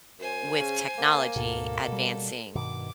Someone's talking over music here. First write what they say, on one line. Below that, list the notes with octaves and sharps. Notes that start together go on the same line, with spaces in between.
with technology advancing,
F#2 C5 G#5
C#3
A#3
D2 G#2 B2 A4
B2 G3
G2 B2 D#3 D6